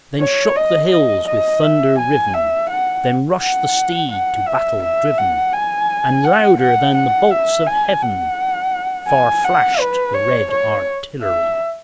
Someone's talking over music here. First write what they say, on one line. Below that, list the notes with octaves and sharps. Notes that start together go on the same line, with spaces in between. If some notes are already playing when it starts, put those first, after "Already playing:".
Then shook the hills with thunder riven; Then rush'd the steed, to battle driven; And louder than the bolts of Heaven Far flash'd the red artillery.
C#5
D#5
D#5
D#5
E5
G#5
E5
F#5
F#5
F#5
E5
E5
F#5
G#5
F#5
F#5
F#5
E5
G#5
F#5
G#5
F#5
B4
C#5
C#5
E5